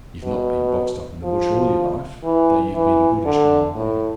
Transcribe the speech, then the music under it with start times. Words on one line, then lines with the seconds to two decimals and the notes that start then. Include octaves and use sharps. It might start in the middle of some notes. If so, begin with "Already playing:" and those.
You've not been boxed up in the bush all your life, though you've been a goodish while there.
0.24 B2
1.24 F3
2.24 E3
2.75 E3
3.25 D3
3.75 A2